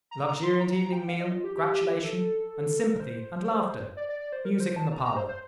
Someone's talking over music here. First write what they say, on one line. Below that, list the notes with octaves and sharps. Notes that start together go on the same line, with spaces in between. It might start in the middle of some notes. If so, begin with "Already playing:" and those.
Luxuriant evening meal, gratulation, and sympathy, and laughter. Music in the parlor.
A#5
A#5
C6
A#5
A#5
G5
F5
D#5
F4
G4
G4
A4
A#4
C5
D5
D5
D5
C5
A#4
C5
A5
A#5
A#5
C5
C5